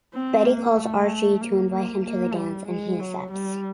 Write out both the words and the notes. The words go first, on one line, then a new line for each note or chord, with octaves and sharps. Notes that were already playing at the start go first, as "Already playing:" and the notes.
Betty calls Archie to invite him to the dance, and he accepts.
C4
A#3
A3
A#3
A#3
A#3
G3
G#3
F#3
G3